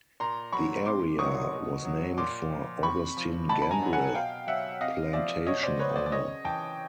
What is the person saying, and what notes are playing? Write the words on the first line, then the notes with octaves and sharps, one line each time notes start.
The area was named for Augustine Gambrill, plantation owner.
A#2 A#5 C6
F#3 B5 C#6
C3 C6 D6
D#3 F#3 C#6 D#6
B2
F#3
A#2 C6 D6
F3
C3 B5 C#6
F3
B2 A5 B5
B5
G#5 A#5
F#3
F#5 G#5
B2 F5 G5
F#3 E5 F#5
C3 D#5 F5
F3 D5 E5
B2 C#5 D#5
C5 D5
F#3 B4 C#5
C5 D5
D5
C#3 C#5 D#5
E3 G5 A5